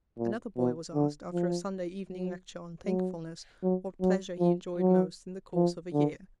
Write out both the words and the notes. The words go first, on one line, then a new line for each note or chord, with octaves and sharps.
Another boy was asked, after a Sunday evening lecture on 'Thankfulness,' what pleasure he enjoyed most in the course of a year.
A#2
B2
D3
F3
F#3
F#3
F#3
F#3
F3
F#3
F3
D3